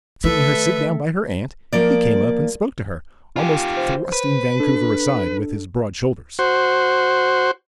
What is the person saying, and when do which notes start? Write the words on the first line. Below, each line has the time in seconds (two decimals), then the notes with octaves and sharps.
Seeing her sit down by her aunt, he came up and spoke to her, almost thrusting Vancouver aside with his broad shoulders.
0.24 D#3 A3 A4 B4 E5
1.73 F3 A#3 D5
3.36 F4 G4 G#5
3.77 C5
4.12 B4
4.60 D4 A4
6.39 F#4 C5